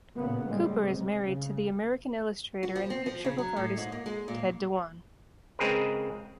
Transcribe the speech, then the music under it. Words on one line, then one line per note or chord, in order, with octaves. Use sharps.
Cooper is married to the American illustrator and picture book artist Ted Dewan.
A1 A#2 C#3 A#3 B3
A2 G3 G#3
C3
C#3
F#4
F3
C4
F3
C#3
F#3
A2
G#2
A#3
G#3
A#2
C#3 G#3 C4 G#4 A#4 B4